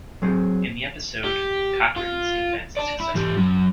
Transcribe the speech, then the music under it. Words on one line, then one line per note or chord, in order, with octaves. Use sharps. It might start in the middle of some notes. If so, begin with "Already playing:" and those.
In the episode, Cochran's defense is successful.
F#3 C4 G#4 C5
G4
F4
D5 A5
E4
E3 G4
F#3 C#4